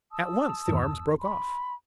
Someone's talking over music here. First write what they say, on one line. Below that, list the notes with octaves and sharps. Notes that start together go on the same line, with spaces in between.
At once the arms broke off.
A5 D#6 E6
E2 G2
B5 C6